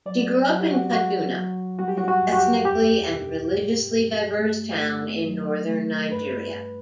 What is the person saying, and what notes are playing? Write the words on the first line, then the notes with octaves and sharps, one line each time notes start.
She grew up in Kaduna, an ethnically and religiously diverse town in northern Nigeria.
F#3 D5
F#3 F#4
G4
F#4
F#3 F#4
F#3
G3 F#4
G4
F#4
F#4
F#2
F#4
G4
E2 G4
B2
G2
G2
A3
A3
F#3
A3
G2 B4
G2